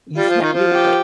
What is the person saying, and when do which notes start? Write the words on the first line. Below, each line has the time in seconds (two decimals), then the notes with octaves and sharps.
you can't really, like
0.17 G3 F4
0.29 F3
0.42 D#3
0.53 F3
0.73 G4